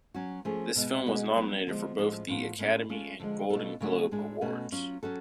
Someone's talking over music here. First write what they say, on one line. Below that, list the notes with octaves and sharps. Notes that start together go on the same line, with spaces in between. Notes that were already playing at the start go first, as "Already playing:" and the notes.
This film was nominated for both the Academy and Golden Globe Awards.
F#3 C#4 F#4
F3 A3 C#4 G#4
B2 G#3 B3
B2 G#3 C#4 F#4
F#3 B3 D4
D3 F3 G#3
A2 F3 G#3 C#4
A2 F3 B3 F4
A2 G#3 C#4
G#3 C#4 F4 A4
D3 F3 G#3
B2 A3 D4 F4 A4
C#3 F#3 A3 D4 F#4
A2 G#3 D4 G#4
B2 A3 C#4 F#4
F#3 C#4 F4
F#3 C#4 F#4 A4